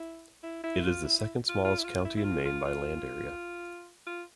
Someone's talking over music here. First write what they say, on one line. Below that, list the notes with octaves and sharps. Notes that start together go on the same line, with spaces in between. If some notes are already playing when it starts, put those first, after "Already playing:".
It is the second-smallest county in Maine by land area.
Already playing: E4
E4
E4
F4
E4
E4
F4
F4
E4
F4
E4
E4
F4
F4
F4
F4